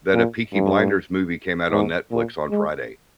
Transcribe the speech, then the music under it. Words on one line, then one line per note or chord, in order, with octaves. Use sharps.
that a Peaky Blinders movie came out on Netflix on Friday.
A#2
G2
G#2
A#2
G#3